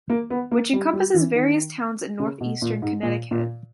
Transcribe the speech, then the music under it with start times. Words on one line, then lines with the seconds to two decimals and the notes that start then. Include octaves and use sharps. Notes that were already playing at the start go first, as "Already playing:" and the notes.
Which encompasses various towns in Northeastern Connecticut.
0.10 A#3
0.30 B3
0.51 A#3
0.73 G3
0.93 G3
1.14 E3
1.35 D#3
2.20 C#3
2.41 B2
2.62 A#2
2.82 G#2
3.03 A#2
3.31 A#2